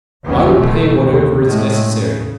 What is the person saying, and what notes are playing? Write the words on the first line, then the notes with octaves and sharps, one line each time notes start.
I will pay whatever is necessary.
F#1 D#2 E3 B3 C#4
B2 D#3 G#3 A3
D#2
A2 G#3 A3
C#3